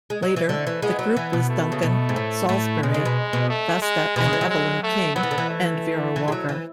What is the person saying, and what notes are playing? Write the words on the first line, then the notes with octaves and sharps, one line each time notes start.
Later, the group was Duncan, Saulsberry, Vesta and Evelyn King, and Vera Walker.
G#3
F#3
E3
D3 A3
E3
G#3 B3
F#3
E3
B2
A3
C#3
B2
G#2
A2
A2 A3
B2 G#3
C#3
B2
B2
A3
G#3
B2 G#3
C#3
E3
F#3
G#3
A3
F#3 B3
E3
D3
E3
A3
E3
G#3
F#3
E3